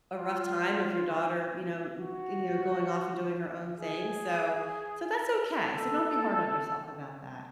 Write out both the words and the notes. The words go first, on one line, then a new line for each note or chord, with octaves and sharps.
a rough time of your daughter, you know, g you now, going off, and doing her own thing, so so, that's okay, so don't be hard on yourself about that.
F4
F#4
G#4
A4